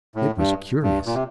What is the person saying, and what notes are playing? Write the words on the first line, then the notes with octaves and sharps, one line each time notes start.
It was curious.
A2
G2
G2
A#2
C3